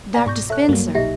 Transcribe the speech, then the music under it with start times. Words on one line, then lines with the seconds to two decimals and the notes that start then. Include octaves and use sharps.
"Dr. Spencer."
0.14 B2 D5 G#5 A#5 A#6 B6
0.26 G#2 C#6 G6
0.50 A4 C#5 E5 F#6
0.69 G2 F#3 G3 A#3
0.95 B1 A#2 D#4 G4 E5